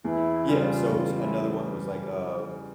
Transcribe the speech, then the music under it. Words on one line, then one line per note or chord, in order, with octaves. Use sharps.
Yeah. So, was another one was, like, um,
E2 E4
C#3 G3 F4
E2 F4
E4